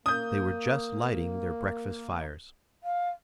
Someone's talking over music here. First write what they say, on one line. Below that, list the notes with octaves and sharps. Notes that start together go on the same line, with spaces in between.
They were just lighting their breakfast fires.
A#3 D#6 G6
F5